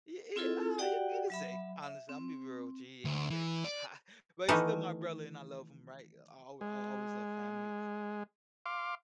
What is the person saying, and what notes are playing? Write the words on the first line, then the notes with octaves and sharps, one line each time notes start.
Y y ah, you you can say. Honestly, Imma be real with you, he ain't the greatest guy. But he's still my brother, and I love him, right? I'll al I'll always love family.
C4 E4 F4 G#4 A4
F#4 G4 D5 F#5 G5
F#3 E5 B5
E5
C4
D2
E3
D5
D#3 E3 A3 B3 D#4
G#3
F5 C6 D6